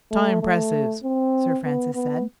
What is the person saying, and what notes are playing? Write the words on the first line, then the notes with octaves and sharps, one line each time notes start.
"Time presses," Sir Francis said.
A3
A3
C4
B3
B3